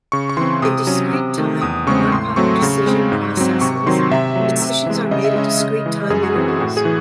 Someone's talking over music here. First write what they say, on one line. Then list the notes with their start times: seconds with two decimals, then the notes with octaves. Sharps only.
In discrete-time Markov Decision Processes, decisions are made at discrete time intervals.
0.12 C#3 C#6
0.29 C#6
0.37 E3 C4 C6
0.62 C3 D#6
0.87 F#3 C#4
1.13 C3
1.38 D#3 A3
1.62 E2 D#6
1.87 C#3 G#3 C4 C#6
2.12 A2 C6
2.36 F#3 A3 C4 C#6
2.62 C#3
2.86 G#3 C4
3.12 G#2
3.37 F#3 C4
3.61 C3 C#6
3.86 D#3 F#3 C4 C6
4.11 C3 E5
4.36 F#3 A3
4.62 C3
4.86 E3 G#3
5.11 C#3 D#5
5.24 E5
5.36 G#3 C#4 D#5
5.60 C#3
5.86 E3 G#3
6.10 F#2 G#4
6.23 F#4
6.35 E3 C4 G#4
6.48 F#4
6.60 A2 F#4
6.77 G#4
6.85 E3